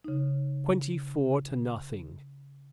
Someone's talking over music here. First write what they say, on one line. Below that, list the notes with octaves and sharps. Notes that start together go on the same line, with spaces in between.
"Twenty-four to nothing."
C#3 D#4